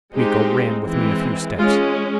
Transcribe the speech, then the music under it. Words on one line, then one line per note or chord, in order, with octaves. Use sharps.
Miko ran with me a few steps.
G#3 C4 D#4 G4
E3 G#3 C4
G#3 C#4 F4